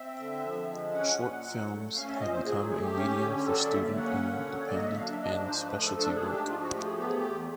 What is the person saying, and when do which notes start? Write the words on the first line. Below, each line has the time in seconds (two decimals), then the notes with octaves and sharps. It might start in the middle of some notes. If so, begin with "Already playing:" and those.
Short films had become a medium for student, independent and specialty work.
Already playing: C4 E5
0.19 D3
0.44 F3
0.70 G#3
0.94 C#4 F#5
1.19 A#2
1.44 F#3
1.70 A3
1.95 C#4 F5
2.07 E5
2.20 A#2 D#5
2.32 C5
2.45 F#3 G#4
2.57 G#4
2.70 A3 G#4
2.82 G4
2.95 C#4
3.21 D3
3.46 F#3 A4
3.59 D5
3.70 A#3 E5
3.84 E5
3.96 C#4 F#5
4.21 D3
4.47 F#3
4.55 C#5
4.66 D5
4.71 A#3 D#5
4.86 E5
4.96 D4 F5
5.10 E5
5.22 G#2 D#5
5.47 F3 C5
5.64 B4
5.72 A3
5.81 A4
5.97 D4 A4
6.15 G#4
6.22 G#2
6.31 G4
6.47 F3 F4
6.60 F#4
6.73 A3 G4
6.85 G#4
6.97 B3 G4
7.07 G#4
7.15 G4
7.23 E2